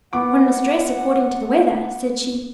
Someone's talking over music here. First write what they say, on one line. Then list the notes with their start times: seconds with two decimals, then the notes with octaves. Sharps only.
"One must dress according to the weather," said she.
0.13 B3 F#5 D6 D7